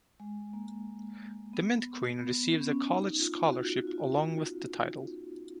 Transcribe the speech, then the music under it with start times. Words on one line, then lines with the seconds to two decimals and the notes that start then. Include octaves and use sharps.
The Mint Queen receives a college scholarship along with the title.
0.20 G#3
0.53 A#3
1.53 B3
2.19 B3
2.53 C#4
2.61 B3
2.69 C#4
2.87 D#4
3.19 F4
3.53 F#4
3.87 F4